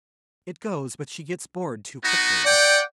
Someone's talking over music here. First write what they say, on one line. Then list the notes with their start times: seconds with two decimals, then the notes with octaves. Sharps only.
It goes, but she gets bored too quickly.
2.04 B3 D#4 F#4
2.45 D5 F#5 G5